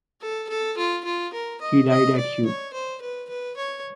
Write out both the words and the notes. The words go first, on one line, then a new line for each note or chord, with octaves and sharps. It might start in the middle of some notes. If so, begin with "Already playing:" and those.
He died at Huy.
A4
A4
F4
F4
A#4
D#5
D#5
D5
C#5
C5
B4
B4
C#5